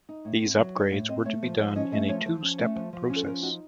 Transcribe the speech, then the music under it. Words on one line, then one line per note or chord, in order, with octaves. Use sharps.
These upgrades were to be done in a two-step process.
D#4
A2
C4
F#3
D#4 C#5
A2 F5
C4 D#5
A3 C#5
F3 C5
F3 C#5
C#4 D#5
A3 D#5
F3 C#5
F3 C5
C#4
A3
F3
F3
C#4
A4
F3 A#4
D#4 F#4